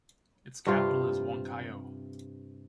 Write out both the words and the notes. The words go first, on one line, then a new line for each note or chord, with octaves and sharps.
Its capital is Huancayo.
G2 C3 F4 C5